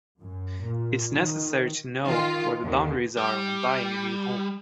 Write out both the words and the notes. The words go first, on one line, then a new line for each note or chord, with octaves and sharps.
It's necessary to know where the boundaries are when buying a new home.
F#2
A#2
D#3
D#3 F4
D#2 D3
G3